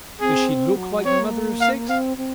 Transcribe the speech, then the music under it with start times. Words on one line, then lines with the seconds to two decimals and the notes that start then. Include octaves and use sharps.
'Does SHE look like the mother of six?'
0.20 C4 G#4
0.76 F#3
1.05 C4 C#5
1.19 A#3
1.60 F5
1.89 C4 F5
2.17 C4